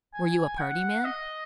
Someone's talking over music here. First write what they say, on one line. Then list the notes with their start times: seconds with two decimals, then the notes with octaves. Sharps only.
Were you a party man?
0.14 G#5
0.58 F#5
1.04 D#5